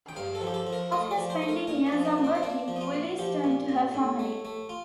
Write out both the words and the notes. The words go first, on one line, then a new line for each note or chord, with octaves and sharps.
After spending years on working, Willis turned to her family.
G5
G2 F5
A4
F3
G4
A4
F3
A#4
A3 D#5
D5
F3
C5
A3
A#4
A#2 A#4
D#4
F3
D#4
D4
A#2
C4
C4
A#3 D4
F3
D#4
F4
A#2
F3 G4
A#2
A#2
A2
A3
A3
F4